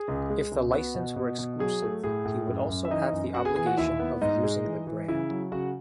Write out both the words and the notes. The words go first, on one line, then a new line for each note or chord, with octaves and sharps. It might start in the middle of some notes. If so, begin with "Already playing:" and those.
If the license were exclusive, he would also have the obligation of using the brand.
Already playing: G#4
C#2
G#3
C#2
B3 F#4
B2
B2
B2
F#3 G#4
A3
A2 G#4
A2
F#2
F#2
E5
E3 D#4 D#5
F#2
B3 F#4 F#5
G#4 G#5
E3 G#4 G#5
F#4 F#5
D#2 E4 E5
B3
G#2 D#4 D#5
G#3
E3
E3
C#3 E4 E5
F#3
C#3 F#4 F#5